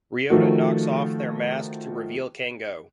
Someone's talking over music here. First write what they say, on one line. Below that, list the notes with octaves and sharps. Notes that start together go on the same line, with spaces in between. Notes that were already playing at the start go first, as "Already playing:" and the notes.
Ryota knocks off their mask to reveal Kengo.
D#3 F3 A3 F#4